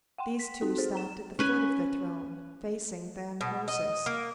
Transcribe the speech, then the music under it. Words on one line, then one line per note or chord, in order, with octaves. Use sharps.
These two stopped at the foot of the throne, facing Than Kosis.
F#5 G5 C6
B6
C4 D#4 F#4 A4
G#4 C5
A#5 E7
C#4 B4 G#5
B2
D#5
A#3